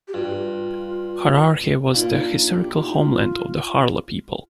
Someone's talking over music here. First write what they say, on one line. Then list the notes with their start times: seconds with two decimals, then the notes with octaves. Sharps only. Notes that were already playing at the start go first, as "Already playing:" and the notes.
Hararghe was the historical homeland of the Harla people.
0.08 G4
0.14 G2 F4
1.94 A#2 D#4
2.04 F4
2.14 D#4
2.25 D4
2.55 G4
2.69 F4
2.83 D#4
2.97 F4